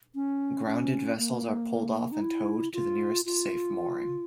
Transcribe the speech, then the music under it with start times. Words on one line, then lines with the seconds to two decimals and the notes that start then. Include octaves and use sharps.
Grounded vessels are pulled off and towed to the nearest safe mooring.
0.15 C#4
0.66 C#4
1.18 A#3
2.12 D#4
2.22 E4
2.74 F4
3.26 F4